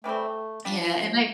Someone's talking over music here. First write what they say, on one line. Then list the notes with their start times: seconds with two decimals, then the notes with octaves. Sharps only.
yeah, and I
0.04 C3 E3 G3 A3 C4
0.65 F3 G3 D4 F4